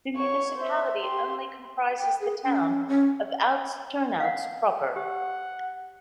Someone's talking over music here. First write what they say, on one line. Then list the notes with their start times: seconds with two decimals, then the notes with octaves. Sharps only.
The municipality only comprises the town of Oud-Turnhout proper.
0.17 C#5 C#6
0.58 C5 E5
1.01 G4 C6
1.97 G5
2.21 G#4
2.44 C#4
2.88 C#4
4.20 F5 F#5
4.96 G4 F#5